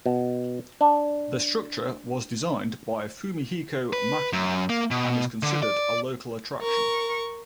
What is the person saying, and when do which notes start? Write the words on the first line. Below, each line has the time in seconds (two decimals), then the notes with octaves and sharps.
The structure was designed by Fumihiko Maki and is considered a local attraction.
0.06 B2
0.81 D4
3.93 B4
4.33 F#2
4.70 A#3
4.91 B2
5.43 D3
5.63 D5
6.62 A#4 C#6